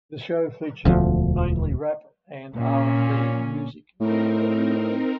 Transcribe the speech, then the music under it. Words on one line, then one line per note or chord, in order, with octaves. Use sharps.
The show featured mainly rap and R and B Music.
E1 D2 F3
A#2 C#4
A2 C4 D#4 A#4